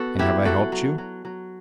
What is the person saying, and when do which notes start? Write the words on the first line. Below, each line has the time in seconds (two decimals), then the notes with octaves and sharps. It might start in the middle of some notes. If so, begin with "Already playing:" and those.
"And have I helped you?"
Already playing: B3 F#4 A4
0.19 F#3 E4 G4
0.45 F#3 F#4 A4
0.72 F#3
0.98 F#3
1.25 F#3